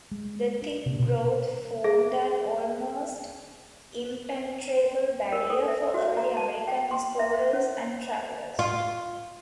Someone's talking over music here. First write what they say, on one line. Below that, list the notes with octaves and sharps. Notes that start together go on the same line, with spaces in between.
The thick growth formed an almost impenetrable barrier for early American explorers and travelers.
G#3
D4
C3
B2
G#4 E5
A#4
A4
E5
F#4
A#5
A5
G5
C6
E5
C#4
F4